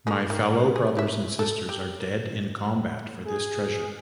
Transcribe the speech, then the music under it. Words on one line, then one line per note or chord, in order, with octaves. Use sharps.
My fellow brothers and sisters are dead in combat for this treasure.
D3 G#3 G#4
D#3
G#4
E4 E5
A4
G4
A2
G#4